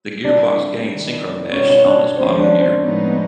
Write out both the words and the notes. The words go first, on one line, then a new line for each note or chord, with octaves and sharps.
The gearbox gained synchromesh on its bottom gear.
D3 G3 C4 D4 E4 D5
C3 D#3 G3 C4 E4
B2 G3 A#3 C#4 D#4 F#4 C#5
C#4 C#5
D4 D5
D#2 D3 F3 G#3 C4 C#4 C5
D4 D5
C4 C5
A2 F3 G#3 B3 D#4